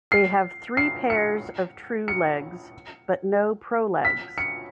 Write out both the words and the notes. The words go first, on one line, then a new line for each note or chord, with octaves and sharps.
They have three pairs of true legs, but no prolegs.
C7
C7
C#7
C#7
B6
C#7